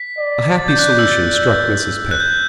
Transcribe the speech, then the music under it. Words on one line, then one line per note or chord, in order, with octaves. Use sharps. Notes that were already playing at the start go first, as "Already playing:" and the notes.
A happy solution struck Mrs. Pett.
Already playing: B6
D5
A6
G6
F#6
G6
E6
F#6
G6